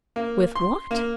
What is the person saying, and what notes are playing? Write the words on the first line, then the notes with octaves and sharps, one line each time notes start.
"With what?"
A#3
C6
A#3